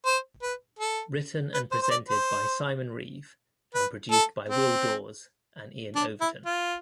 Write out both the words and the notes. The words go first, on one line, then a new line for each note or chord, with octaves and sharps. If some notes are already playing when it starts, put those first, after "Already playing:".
Written and presented by Simon Reeve, and produced by Will Daws and Iain Overton.
C5
B4
A4
B4
C5
C5
D5
C5
B4
A4
C4
D4
E4
F4